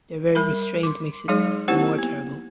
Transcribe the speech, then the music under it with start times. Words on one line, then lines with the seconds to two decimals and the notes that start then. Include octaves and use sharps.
Their very restraint makes it the more terrible.
0.35 G3 A#4 B5
0.83 C6 D6
1.28 F#3 G#3 D#4 G#4 C#5
1.68 A#3 C4 E4 G4 C5 F#5
1.99 B3